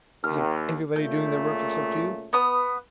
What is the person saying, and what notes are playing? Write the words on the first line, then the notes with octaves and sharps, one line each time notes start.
Isn't everybody doing their work except you?
D#2 F6
A#2 C#3 A3 G6
B3 D#6